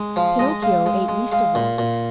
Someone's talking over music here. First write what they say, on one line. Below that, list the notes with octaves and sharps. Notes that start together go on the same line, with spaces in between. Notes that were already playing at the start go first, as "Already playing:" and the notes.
Pinocchio ate least of all.
Already playing: G#3
F3 F5
G#3 D#5
G#3 F5
G#3
G#3
G#3 F5
A#2
A#2